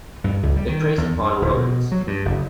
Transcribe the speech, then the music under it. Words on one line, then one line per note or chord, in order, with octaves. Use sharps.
It preys upon rodents.
G2
C#2
G3
D#3
E2
G2
D1
B2
F#3
G2
F#1